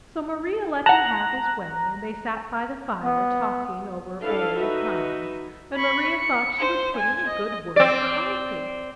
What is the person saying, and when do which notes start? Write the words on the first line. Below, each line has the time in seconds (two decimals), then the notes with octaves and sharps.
So Maria let him have his way and they sat by the fire talking over old times and Maria thought she would put in a good word for Alphy.
0.86 F#5 A5 A#5 F#6 A#6
3.02 B3
4.21 D4 E4 A4 B4 F5
4.56 D#4 F#4 B4 E5
5.76 B5 C#6
6.20 C#7
6.58 C5
6.96 G#5 G#6
7.27 D#5
7.76 C4 D5